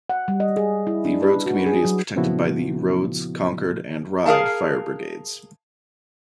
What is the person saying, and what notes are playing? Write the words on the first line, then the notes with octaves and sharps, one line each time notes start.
The Rhodes community is protected by the Rhodes, Concord and Ryde Fire Brigades.
F#5
G3
D#5
G#4
E4
D4
B4
F#4
G#4
F#3
A#2 C#3 F3 B3 E4 F#4
G#4 A#4 F5 A5